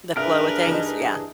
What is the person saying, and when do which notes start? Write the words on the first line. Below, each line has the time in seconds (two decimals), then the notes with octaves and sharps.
The flow of things, yeah.
0.16 G2 D4 G#4 A#4 B4 E5 F6 D7
0.67 E3 D#4